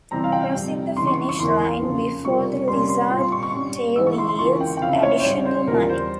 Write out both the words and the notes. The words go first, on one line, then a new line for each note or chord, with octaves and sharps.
Crossing the finish line before the Lizard Tail yields additional money.
C3 E3 G3 C4 A#5
F5
G5
F2 C3 G3
C#3 E3 G#3 C6
C#6
C#6
E2 E3 A#3 C6
F2 C#3 F3 A#3 F4
C3 G3 A#3 F4 C#6
C3 G3 A#3 C#4 C6
C6
A#2 G3 C4 F4 C6
C6
C#6
C#6
G2 G3 C#4
G#2 E3 G#3 E4 E6
C#6
C6
C6
C#3 E3 A#3 F4 C#6
G5
G5
C#3 F3 C4 E4 F5
E5
C#5
C5
G#2 G3 C#4 C#5
C5
E2 E3 G3 C#4 F4 A#4
C5